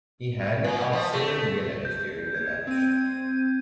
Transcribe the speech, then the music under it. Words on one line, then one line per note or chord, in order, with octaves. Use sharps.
He handed out seven yellows during the match.
A#2
F3
A3
G6
G#6
C4 D#7